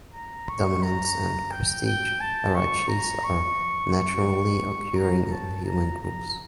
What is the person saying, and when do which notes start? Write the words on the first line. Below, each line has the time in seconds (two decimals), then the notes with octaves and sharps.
Dominance and prestige hierarchies are naturally occurring in human groups.
0.14 A#5
0.48 C#6
0.83 A#5
1.51 G5
1.86 G5
2.20 A5
2.55 C#6
2.89 A#5
3.24 C#6
3.93 C#6
4.96 A#5
5.30 A5
5.65 A#5
5.99 A#5